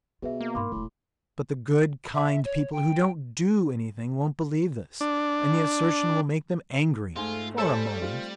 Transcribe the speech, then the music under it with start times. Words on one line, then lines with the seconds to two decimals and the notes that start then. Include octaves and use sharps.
But the good, kind people who don't do anything won't believe this, and the assertion will make them angry--for a moment.
0.22 B2 F4 G#4 B4 E5
0.40 A#3
0.55 G#2 B5 C6 D6
0.72 E1 A1 A2
2.14 E5
2.45 C#5
2.72 G5
5.01 D4
7.16 G#2 A3 F4 G#5 G7
7.58 G3 A4 C5 C#5 G#5 E7
8.00 C4 F4 G4